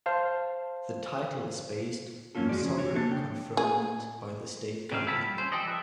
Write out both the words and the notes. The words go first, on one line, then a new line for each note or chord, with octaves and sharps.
The title is based on sovereign conferment by the state government.
C5 F5 A5
F#2 A#2 A#3 C#4 F4 A4
F2 G#3 F#4 C#5 D5
C#3
F2 D4 F#4 C#5
C#3 A#3 D4 A4 C#5 A5
G5
G#4
C#3 F#3 C4 F5
E4 F4 A4 B5
G3
C#4 C5
F3 G4 A4 D5 D#5
B4 E5